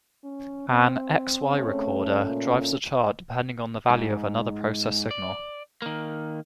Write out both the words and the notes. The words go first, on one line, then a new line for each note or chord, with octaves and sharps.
An "X-Y" recorder drives the chart depending on the value of another process signal.
C#4
C4
C#3 A3
A#2
G#2
D5
D#3 A#3